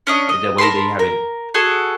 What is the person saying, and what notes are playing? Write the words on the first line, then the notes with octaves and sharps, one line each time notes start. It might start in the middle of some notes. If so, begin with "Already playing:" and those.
The way that you have it
C#4 D4 D#5
D#5
A#4 A5 B5 C6
A#4
F#4 G#4 A4